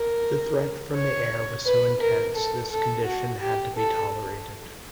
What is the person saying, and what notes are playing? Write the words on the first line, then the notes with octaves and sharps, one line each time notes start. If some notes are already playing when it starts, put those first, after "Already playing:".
The threat from the air was so intense this condition had to be tolerated.
Already playing: A#4
C#5
B4
A#4
A4
A4
F#4
G4
A4